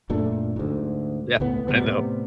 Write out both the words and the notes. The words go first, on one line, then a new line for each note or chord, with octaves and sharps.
Yeah, I know.
F#2 A#2 A3 D4
D2 G#2
C#2 A2 B3
A2 C3 G3 B3